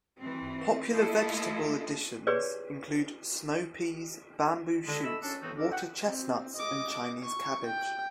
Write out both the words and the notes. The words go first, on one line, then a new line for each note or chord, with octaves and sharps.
Popular vegetable additions include snow peas, bamboo shoots, water chestnuts and Chinese cabbage.
E3 C4
A#3 E4 F4 A4 D#5 E5
G4 G#4 B4 C#5 D5
D3 G#3
A3 A4 D#5 B5 E6
C#4 D4 A4
A2 E3 B3 C4 D#4 F#4
G2 C#4 A4 A#4 D6
F#5 G5
C4
D#5 D6
C#6
G5